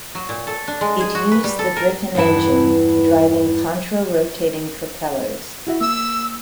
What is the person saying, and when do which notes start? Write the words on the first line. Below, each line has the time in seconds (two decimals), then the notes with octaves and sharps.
It used the Griffon engine driving contra-rotating propellers.
0.15 F#3
0.29 A#2
0.47 A4
0.68 D4
0.81 G#3
1.01 G#4
1.15 F#4
1.31 B4
1.44 G3
1.59 A4
1.76 A#4
2.15 E2 G2 E3 E4 A5
5.67 E4 F#4 E5
5.81 A#3 E6